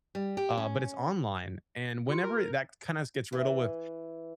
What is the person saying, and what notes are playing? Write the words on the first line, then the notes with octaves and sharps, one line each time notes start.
Uh, but it's online, and whenever that kinda s gets riddled with,
G3
G4
C#4
F4 G4 C6 C#7
A#4
E3